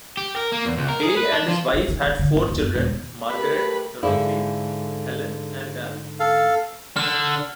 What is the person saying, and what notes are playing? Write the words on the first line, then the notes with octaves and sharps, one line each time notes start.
Day and his wife had four children: Margaret, Dorothy, Helen and Ralph.
G4
A#4
A#3
E2
C#2
A#4
G#4
B4
D4
F3
D4
D#3
D#3
D3
G#1
D#2
F#2
E1
D#3
A3 G4 A#4 B4
G#2 D3 E4 G#4 D5 F5
A4 F5
D3 F6